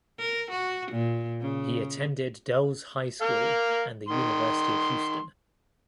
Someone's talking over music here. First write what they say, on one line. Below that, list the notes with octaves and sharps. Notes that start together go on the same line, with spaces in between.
He attended Dulles High School and the University of Houston.
A#4
F#4
A#2
C#3
A#4 F5
D#3 C6